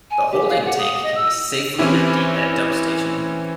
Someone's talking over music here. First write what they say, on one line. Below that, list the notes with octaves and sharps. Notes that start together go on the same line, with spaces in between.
The holding tank can be safely emptied at a dump station.
G#5
G4
F5
F#5
D#6
D#5
E6
E3 C4 C#4 E4 G4